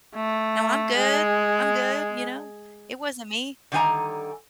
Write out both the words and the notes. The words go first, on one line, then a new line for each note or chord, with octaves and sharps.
"No, I'm good, I'm good, you know? It wasn't me."
A3
G#3
D3 D#3 G3 F#5 G#5 A#5